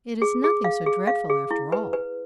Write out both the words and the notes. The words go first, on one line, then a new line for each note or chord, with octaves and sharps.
'It is nothing so dreadful after all!
G#4
G#4
F5
G#4
F5
G#4
E4
B4
B4